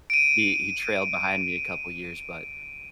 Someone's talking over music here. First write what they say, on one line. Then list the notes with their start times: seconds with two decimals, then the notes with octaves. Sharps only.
He he trailed behind me a couple years, but,
0.10 D7 D#7